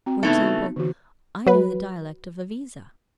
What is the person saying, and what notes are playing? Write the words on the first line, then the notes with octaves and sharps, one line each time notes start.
For example, I know the dialect of Iviza.'
C4 F#4 G5
C#3 E3 A3 B3 D#4 A5
F#4
D3 E3 F#4
F#3 B4